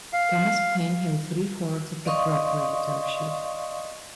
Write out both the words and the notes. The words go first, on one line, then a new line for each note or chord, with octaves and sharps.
Thomas Penn held three-fourths of the proprietorship.
F5
D5 D#5 F5 C6 C#6 D#6